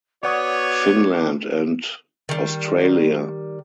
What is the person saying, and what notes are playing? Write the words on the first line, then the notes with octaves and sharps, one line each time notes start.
Finland and Australia.
B3 F#4 C#5 D5 F#5 D6 D#6
D#3 G3